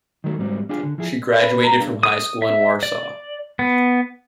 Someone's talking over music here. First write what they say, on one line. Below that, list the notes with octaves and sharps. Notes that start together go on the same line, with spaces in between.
She graduated from a high school in Warsaw.
D#3 F#3 A3
G#2 F#3 G3 C4
D4 F4 G4 G#4
D3
F3 E4 G#4
B4
A#5
G2
D#6
E5
D5
B3